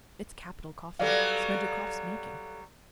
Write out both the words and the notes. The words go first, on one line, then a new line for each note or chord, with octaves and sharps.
It's capital coffee: Smerdyakov's making.
F#3 G3 B3 A4 D5 F5